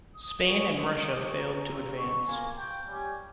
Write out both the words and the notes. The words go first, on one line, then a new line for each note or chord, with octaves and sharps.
Spain and Russia failed to advance.
D#6
G#3 C4 F4 C#6
G#3 D#4 G4 C#6
A#5
C4 F4
C#6
A#3 F4 G#5
G5
G3 C#4 G4 G#5